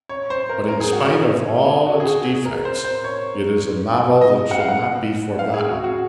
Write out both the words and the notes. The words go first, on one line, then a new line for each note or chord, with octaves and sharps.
But in spite of all its defects it is a novel that should not be forgotten.
C#5
C5
A#4
A#4
G#4
F#4
G#4
F#4
G#4
F#4
G#4
A#4
C5
C5
C#5
D#5
F#5
F5
F#5
F5
G#4
F#4
F#4